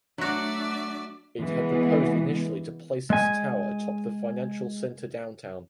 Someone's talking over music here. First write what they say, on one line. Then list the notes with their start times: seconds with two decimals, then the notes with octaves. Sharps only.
It had proposed initially to place its tower atop the Financial Center downtown.
0.18 F#3 A3 D4 F#4 D5 E5
1.40 E3 G#3 B3
3.10 G#3 G#5